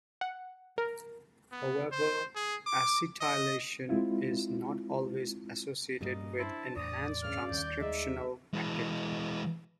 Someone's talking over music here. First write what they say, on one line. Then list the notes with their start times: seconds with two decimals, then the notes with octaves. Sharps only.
However, acetylation is not always associated with enhanced transcriptional activity.
0.21 F#5
0.78 A#4
1.52 B3
1.92 C5
2.36 G#4
2.67 D6
3.21 D#5
3.89 G#3 C4 E4 F4
6.01 G2 A#2 G3 A#3 C#4 D#5
6.39 D4 E4 C5 A5
6.76 E2 A2 D5 D#6
7.23 G2 C#3 F6
7.51 D#2 D#3 G3 G6
7.80 G#3 D#4 E5
8.54 E3 G#3